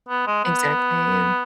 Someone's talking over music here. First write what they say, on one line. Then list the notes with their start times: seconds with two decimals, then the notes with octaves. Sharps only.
Exactly, yeah,
0.09 B3
0.27 G#3
0.44 B3